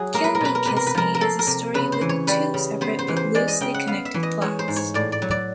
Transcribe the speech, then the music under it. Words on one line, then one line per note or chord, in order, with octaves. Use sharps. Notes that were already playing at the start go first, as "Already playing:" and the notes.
"Kill Me, Kiss Me" is a story with two separate but loosely connected plots.
Already playing: F#3 F#4 G#4
A#3 A#4
B4
A#4
B2 B4
A#4
C3 B4
A#4
B4
F3 A#4
A#4
A#3 A4
A#4
C3
C#3 B4
C5
E3
C#5
G3 B4
C#3
B3 C5
C5
E3
C5
G#3 D5
D#5
C#3 G5
F#5
B3 F5
E5
E3
D#5
G#3 C#5
C5
G#2
C#5
A2 D5
D5
F#3
D5